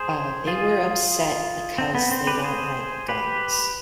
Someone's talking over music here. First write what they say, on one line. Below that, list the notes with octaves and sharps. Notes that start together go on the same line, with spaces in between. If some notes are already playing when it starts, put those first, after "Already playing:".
Uh, they were upset because they don't like guns.
Already playing: G#4 C5
F4 G#4
C4
B3
C4
G4 B4
G#4 C5
G4 B4